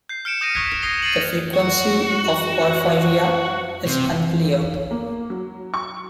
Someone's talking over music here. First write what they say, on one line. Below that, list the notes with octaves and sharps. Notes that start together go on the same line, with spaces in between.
The frequency of porphyria is unclear.
G6 C7
F6 C#7 D7 E7
D#6 G6 A#6 D7 D#7
C#6 D#6 F#6 G#6 B6
D#6 A#6 C7 E7 F7 G7
A6 C7 D#7 F#7
F#4
C3
A#3
F#3
C#6